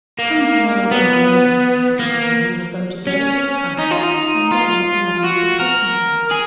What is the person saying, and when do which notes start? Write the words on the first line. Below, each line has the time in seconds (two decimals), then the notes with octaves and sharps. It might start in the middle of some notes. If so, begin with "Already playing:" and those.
"Come to-morrow morning early," said he, "and we will go together to the country and learn what the animals are talking about."
0.19 A#3
0.91 B3
1.99 A#3
3.07 C#4
3.79 D#4
3.91 F4
4.03 D#4
4.51 F4
5.24 F#4
5.60 A#4
6.31 G#4